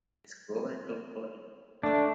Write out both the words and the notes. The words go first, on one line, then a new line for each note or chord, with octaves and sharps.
Let's go and look for him!
A3 D4